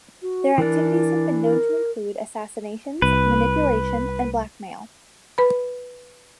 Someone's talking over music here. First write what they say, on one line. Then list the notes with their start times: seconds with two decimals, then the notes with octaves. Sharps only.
Their activities have been known to include assassinations, manipulation and blackmail.
0.22 F#4
0.58 E3 D4 A#4
1.42 A#4
3.02 C2 B4
5.38 B4 B5